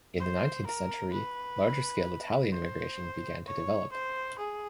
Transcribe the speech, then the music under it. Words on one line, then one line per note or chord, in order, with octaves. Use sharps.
In the nineteenth century, larger scale Italian immigration began to develop.
C5
A#4
B4
C5
C#5
C5
G#4